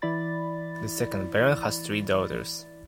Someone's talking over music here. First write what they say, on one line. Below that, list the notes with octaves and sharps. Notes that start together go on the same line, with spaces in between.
The second baron has three daughters.
E3 E4 D5 B5 A6